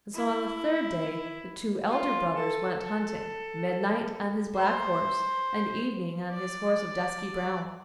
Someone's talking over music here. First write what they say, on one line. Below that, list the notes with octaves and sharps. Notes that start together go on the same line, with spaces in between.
And so on the third day the two elder brothers went hunting--Midnight on his black horse, and Evening on his horse of dusky brown.
E4
F4
A4
A4
C5
D5